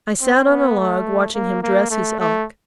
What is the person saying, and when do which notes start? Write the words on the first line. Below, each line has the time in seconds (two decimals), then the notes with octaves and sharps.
I sat on a log watching him dress his elk.
0.22 C4
0.51 B3
0.79 A3
1.35 A#3
1.63 A#3
1.91 A3
2.20 A3